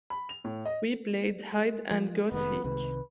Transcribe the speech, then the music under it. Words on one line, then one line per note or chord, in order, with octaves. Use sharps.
We played hide and go seek.
B5
F7
A2
D#5
F3
F1 D#3 B3
C2 C3 D#3 B4